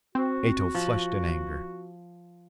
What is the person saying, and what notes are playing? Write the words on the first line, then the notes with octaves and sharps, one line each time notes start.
Ato flushed in anger.
C4 F#4
F3